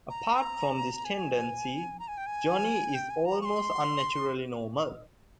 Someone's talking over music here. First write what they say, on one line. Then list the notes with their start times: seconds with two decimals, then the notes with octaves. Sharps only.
Apart from this tendency Johnny is almost unnaturally normal.
0.09 A#5
1.05 G#5
1.99 A#5
2.08 G#5
2.17 G5
2.26 G#5
2.94 G5
3.10 G#5
3.25 A#5
3.41 C#6
3.45 C6